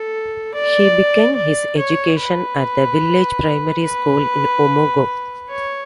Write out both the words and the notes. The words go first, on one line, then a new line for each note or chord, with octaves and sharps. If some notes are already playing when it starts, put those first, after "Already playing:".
He began his education at the village primary school in Umuagu.
Already playing: A4
D5
D5
C#5
B4
B4
C#5